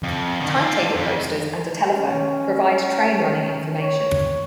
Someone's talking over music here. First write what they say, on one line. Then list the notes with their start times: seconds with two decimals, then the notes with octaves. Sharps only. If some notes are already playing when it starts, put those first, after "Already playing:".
Timetable posters and a telephone provide train running information.
0.03 F2
0.40 D3 D#3
0.57 D4 F4
0.95 F2
1.92 C#4
3.81 C#5